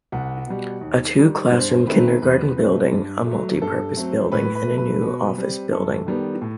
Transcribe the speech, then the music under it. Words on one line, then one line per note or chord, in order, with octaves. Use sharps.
A two classroom kindergarten building, a multi-purpose building, and a new office building.
C2 F#5
B2 G3
D#2
D#3 G3
G2 C5
D#3 A3 C4 B4
E2 B4
B2 A3 C4
G2
A3
F#3
G2 A4
F#3 A3 C4
A2 B4
B4
A3
F#3
B4
B2
G3 C4
F#2 A4
D#3 G3 B3
A2